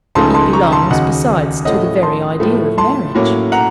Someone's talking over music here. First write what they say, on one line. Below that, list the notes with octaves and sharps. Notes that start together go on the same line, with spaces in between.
"It belongs, besides, to the very idea of marriage."
C#2 C#3 F3 A3 D#4 A5 C6
A5 C6
A#5 C#6
A5 C6
D#2 C#3 F#3 D#5 F#5
A2 F3 A3 C#4 D#5 F#5
A5 C6
A2 F3 A3
A5 C6
A2 F#3 A#3 C#4
F#5 A#5